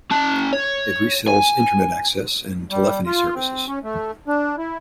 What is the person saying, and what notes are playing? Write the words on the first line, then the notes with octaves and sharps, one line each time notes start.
It resells internet access and telephony services.
C#4 A5
C#5
G#5
G3
F4
C4
C#4
A3
D4
E4